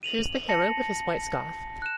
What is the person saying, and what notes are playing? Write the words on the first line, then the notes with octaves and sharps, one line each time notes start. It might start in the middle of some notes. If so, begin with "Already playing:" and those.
Pooh’s the hero with his white scarf.
D#7 F7 F#7
A5 A#6 C#7
F#6 E7